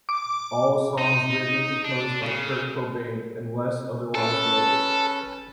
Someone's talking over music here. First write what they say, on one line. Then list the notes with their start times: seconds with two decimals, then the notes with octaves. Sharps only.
All songs written and composed by Kurt Cobain unless otherwise noted.
0.09 D6
0.98 D#4
1.84 D4
2.22 C#3
4.15 C#4 A4 B4 A5